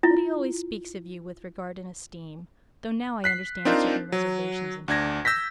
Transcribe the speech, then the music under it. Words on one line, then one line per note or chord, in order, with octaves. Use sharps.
But he always speaks of you with regard and esteem, though now I understand certain reservations in his manner.'
E4 F4
F#6 B6 C7
C4 D4 D#4 F4 A#4 C5
F#3
D2 D4 G#6 A#6
E6 G6 A#6 B6